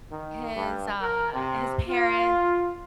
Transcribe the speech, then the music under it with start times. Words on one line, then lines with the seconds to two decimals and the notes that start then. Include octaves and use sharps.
His, uh his parent
0.12 D#3
0.56 G2
1.02 A#4
1.33 C3
1.88 F4